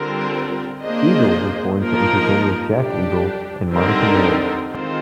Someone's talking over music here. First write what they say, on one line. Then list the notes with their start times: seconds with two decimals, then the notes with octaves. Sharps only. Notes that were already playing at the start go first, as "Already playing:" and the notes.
Eagle was born to entertainers Jack Eagle and Monica Maris.
Already playing: D3 G3 C4 F4 A#4
0.81 A#3 D4 G#4 C5 D#5
1.79 F3 A#3 D#4 A#4
2.75 G3 D4 G4
3.72 D3 G3 C4 D#4 A#4
4.69 D#3 G#3 C4 F4 C5